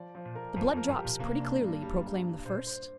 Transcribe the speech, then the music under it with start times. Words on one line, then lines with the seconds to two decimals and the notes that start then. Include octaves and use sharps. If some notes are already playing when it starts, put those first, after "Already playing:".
The blood drops pretty clearly, proclaimed the first.
Already playing: F3 D5
0.15 F3
0.25 A#2
0.35 A#4
0.56 G2 F3
0.72 F2
0.77 A#4
0.88 G2
0.98 G4
1.04 A#2
1.19 C3 A#3
1.40 D4
1.62 G2
1.82 G3
2.03 G3
2.24 G3
2.45 A#2 C5
2.67 C5